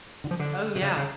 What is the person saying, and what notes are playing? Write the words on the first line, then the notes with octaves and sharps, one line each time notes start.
Oh, yeah.
D3
F3
D3
B2
C#3
C#3